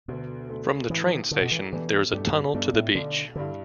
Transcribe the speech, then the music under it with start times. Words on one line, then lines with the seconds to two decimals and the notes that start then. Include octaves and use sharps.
From the train station, there is a tunnel to the beach.
0.08 D2 B2 D3 A3
0.49 D2 D3 A3
0.90 A1 A2 E3 A3
1.31 A1 A2 D3 A3
1.41 B2
1.51 E3
1.72 E2 B2 E3 A3 D4 G4
2.13 E2 G2 B2 A3 D4 G4
2.54 B1 G2 B2 A3 D4
2.74 A2
2.95 B1 B2 D3 A3 D4
3.35 G2 D3 G3 E4